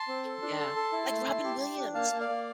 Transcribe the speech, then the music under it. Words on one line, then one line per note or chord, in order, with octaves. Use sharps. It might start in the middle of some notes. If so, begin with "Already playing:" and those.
Yeah, like Robin Williams,
Already playing: A5 C6
C4
A4
D4
A4
A4
E4
A3
E4
G4
G4
D4
A#3 F5 A5
A#3
D5 F5
A#3